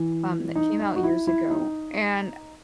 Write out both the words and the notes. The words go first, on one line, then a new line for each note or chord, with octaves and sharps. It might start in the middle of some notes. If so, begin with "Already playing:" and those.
um, that came out years ago, and,
Already playing: E3
D#4
D#4
F#4
E4
E4
D#4